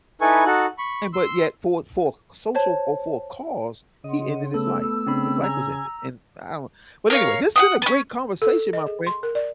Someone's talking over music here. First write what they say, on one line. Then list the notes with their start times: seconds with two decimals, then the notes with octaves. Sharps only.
and but yet for for social, or for a cause, he ended his life, his life was ended, and I don't But anyway, this has been a great conversation, my friend.
0.21 D#4 E4 A4 B4 G#5 C#6
0.46 D#4 F#4 A4 F#6
0.78 B5 C#6
1.13 C6 E6
2.55 C5 C#5 A5
4.04 C#3 D#5 F#5 C6
4.54 A3 B3 A4 E6
5.07 C#3 C4 D4 B5
5.44 G#5 A#5
7.10 A#4 C#5 F5
7.56 F#5 G5 D#6
7.82 B3 C#4
8.42 A4
8.73 D#5
8.86 G#4
9.07 C6
9.23 A#4
9.35 D5